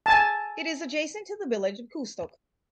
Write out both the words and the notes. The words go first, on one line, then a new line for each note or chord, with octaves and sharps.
It is adjacent to the village of Kewstoke.
G#5 A5